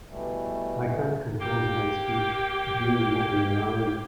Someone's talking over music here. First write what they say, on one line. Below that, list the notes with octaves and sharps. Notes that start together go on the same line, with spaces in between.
I can't compose my speech with you mucking around.
B2 E3 G3 A3
A#3 G4